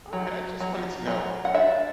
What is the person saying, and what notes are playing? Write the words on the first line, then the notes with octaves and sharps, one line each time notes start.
Alright, I just wanted to know,
F#3
F#3
F#3
F#5
D4 E5